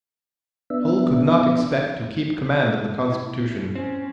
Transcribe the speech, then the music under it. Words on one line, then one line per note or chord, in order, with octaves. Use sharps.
Hull could not expect to keep command of the Constitution.
B3 D4 E5
E4
C4 C#4